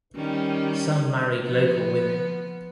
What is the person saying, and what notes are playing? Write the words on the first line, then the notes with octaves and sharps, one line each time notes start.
Some married local women.
D#3 G3 C#4
F3 B3